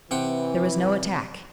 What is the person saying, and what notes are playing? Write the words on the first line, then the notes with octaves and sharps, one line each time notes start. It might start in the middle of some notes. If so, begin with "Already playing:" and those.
There was no attack.
C3 E3 F#5 G5